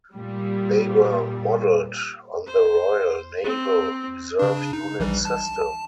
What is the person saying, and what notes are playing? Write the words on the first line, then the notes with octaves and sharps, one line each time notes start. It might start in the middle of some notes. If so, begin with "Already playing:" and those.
They were modelled on the Royal Naval Reserve unit system.
A#2 G3
C5
C4
C#3 D4
D#4
A#1 E3 G3
A5